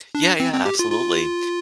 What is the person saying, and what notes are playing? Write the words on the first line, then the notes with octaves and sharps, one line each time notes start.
Yeah, yeah, absolutely.
D4
C4
C4
G4
F4
F4